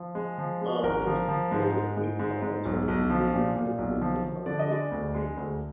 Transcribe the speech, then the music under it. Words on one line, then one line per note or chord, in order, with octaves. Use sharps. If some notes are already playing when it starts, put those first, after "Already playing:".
Composting toilets aim to have a certain degree of moisture in the composting chamber.
Already playing: F3
G#3
F3
G#3
G#1 A#4
F3
F3
G#2
G#3
G#2
G#2
G#2
B1
B1
F3
A#2
A#2
B1
F3
F3
D3 D5
D#5
G#3 D5
D2
G#3
D2